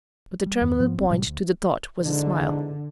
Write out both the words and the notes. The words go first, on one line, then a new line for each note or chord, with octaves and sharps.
But the terminal point to the thought was a smile.
G3
E2 G2 D#3
G#2 F3 A3 B3
G#1 C4
A2 C3 F#3 G3
D2
E2 G#2 D3 D4